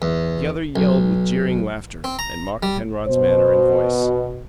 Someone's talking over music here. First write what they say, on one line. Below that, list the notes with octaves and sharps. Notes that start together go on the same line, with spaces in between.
The other yelled with jeering laughter, and mocked Penrod's manner and voice.
E2
B1
C4
A#5
G3
B2 C5